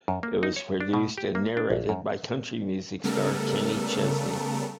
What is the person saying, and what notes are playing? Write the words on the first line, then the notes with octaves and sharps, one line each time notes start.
It was produced and narrated by country music star Kenny Chesney.
F#2
A#3
D#4
C#5
D4
B2
G4
A#3
D4
A#1
F#2
C#3 G3 A3 B3 A4 A#4